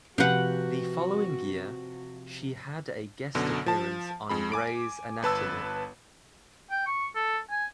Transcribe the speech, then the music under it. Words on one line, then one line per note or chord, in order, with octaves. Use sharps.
The following year, she had a guest appearance on "Grey's Anatomy".
C3 F3 F#4 G4 B4 F5 F#5
F#2 B2 D3
F3 A5
F2 G#3 B5
G#5 D6 D7
G1 B4 A5 E6
G5
C#6
A4
G#5